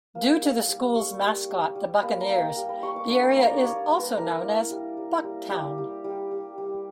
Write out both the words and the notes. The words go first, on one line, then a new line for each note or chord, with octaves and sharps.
Due to the schools' mascot, the Buccaneers, the area is also known as Buc-town.
A#3
G3
G3
G3 C#6
G3
G3
G3
A#3 B5
A#5
A#3
G5
G3
B5
G3 C#6
D6
D4 C#6
B5
A#3 A#5
D5
C#5
G3 D5
G3
B4
E4 A#4
A#3
G3
G3
G3
G3 G4
G3
G3
G3
G3